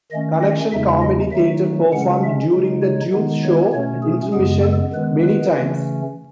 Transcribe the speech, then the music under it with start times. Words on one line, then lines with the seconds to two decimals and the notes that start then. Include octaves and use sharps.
Connection Comedy Theatre performed during the Tubes show intermission many times.
0.11 D#3 A3 C#4 D#5
0.41 D#5
0.72 E2 C#3 G#3 D#4 E5
1.01 D#5
1.32 D#3 F#3 A3 D#4 E5
1.92 C#3 G#3 C#4 F#5
2.23 E5
2.52 C#3 G#3 D#4
2.82 C#5
3.13 D#3 G#3 B3 D#4
3.43 C#5
3.73 B2 A3 C#4 C#5
4.03 G#4
4.33 F#2 C#3 G#3 B3 G#4
4.63 A4
4.93 D#3 G#3 B3 B4
5.24 B4
5.54 C#3 E3 A3 C#4